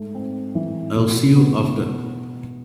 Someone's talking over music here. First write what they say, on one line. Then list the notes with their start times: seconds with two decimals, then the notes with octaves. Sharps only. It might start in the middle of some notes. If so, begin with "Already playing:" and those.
I'll see you after.
Already playing: G#2 A3
0.15 C4
0.55 E3
0.95 B2
1.36 B3